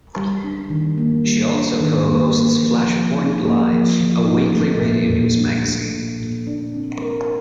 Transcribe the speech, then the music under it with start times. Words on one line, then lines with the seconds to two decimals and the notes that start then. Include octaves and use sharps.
She also co-hosts "Flashpoint Live", a weekly radio news magazine.
0.17 G3
0.44 D4
0.70 D#3
0.98 A#3
1.26 G3
1.54 D4
1.81 D#3
2.08 A#3
2.36 A#3
2.63 F3
2.90 F3
3.17 D#4
3.44 A#3
3.73 F3
4.00 F3
4.27 D#4
4.55 A3
4.82 A#2
5.10 A#2
5.37 D4
5.65 A3
5.91 A#2
6.20 A#2
6.47 D4
6.74 C4
7.02 A#4